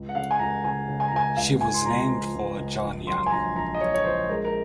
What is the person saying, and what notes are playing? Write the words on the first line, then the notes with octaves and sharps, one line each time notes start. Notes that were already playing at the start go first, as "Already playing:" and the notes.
She was named for John Young.
Already playing: C#2
F#5
C#3 F5
G#5
C#2 A#5
C#3 G#5
C#3
G#5
A#5
C#2 G#5
C#2 F5
C#2 G#5
C6
C#2 A#5
F3
C#2
C#2
A#1
F#3 C6
G#5
A#1 A#5
A#1 A#5
D#5
F#3 C#5
C#5
A#1 C5
G#3 A#4
A#4